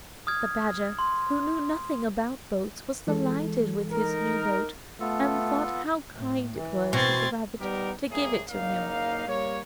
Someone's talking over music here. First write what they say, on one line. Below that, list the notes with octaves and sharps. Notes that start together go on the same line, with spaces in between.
The badger, who knew nothing about boats, was delighted with his new boat and thought how kind it was of the rabbit to give it to him.
D#6 F6 G#6
C6
E3 G#3 A4
D#4 A#4
A3 B3 F4 A4
A2
E3
B2 C4 C6 G#6 A6
G3 B3 D#4 G4 A#4
C2 A2 A#3 G#4
F#1 A#3 D#4 F5
G3 A#3 C#5